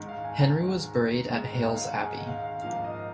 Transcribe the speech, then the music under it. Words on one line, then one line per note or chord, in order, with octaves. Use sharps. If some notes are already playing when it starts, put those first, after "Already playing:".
Henry was buried at Hailes Abbey.
Already playing: G#2 D#3 G#3
F5
G#5
A#5
G#2 D#3 G#3
G#2 D#3 G#3
C#5
D#5
F5
F#5
G#2 D#3 G#3 G#5
F5
F5
G#2 F3 A#3 F5
D#5